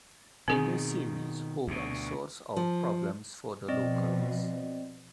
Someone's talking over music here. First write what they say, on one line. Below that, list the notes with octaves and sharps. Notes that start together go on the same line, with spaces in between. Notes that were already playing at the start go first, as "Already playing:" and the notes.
In the series Hogan sorts out problems for the locals.
B2 D#3 C4 G#4
D2 B2
F3
B2 F3 C4 D5 D#5